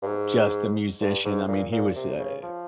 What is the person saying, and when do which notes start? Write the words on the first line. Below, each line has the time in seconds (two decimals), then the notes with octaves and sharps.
just a musician, I mean, he was a
0.03 G2
0.06 G#2
1.01 G2
1.25 G#2
1.48 A#2
1.72 A#2
1.96 C3
2.19 C#3
2.43 F3